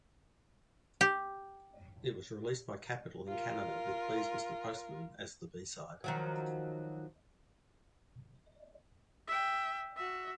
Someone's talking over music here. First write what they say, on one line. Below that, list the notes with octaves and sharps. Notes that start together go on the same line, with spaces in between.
It was released by Capitol in Canada with "Please Mister Postman" as the B-side.
G4
F4 A#4
D#3 F3 F#3
E5 G5
F#4 E5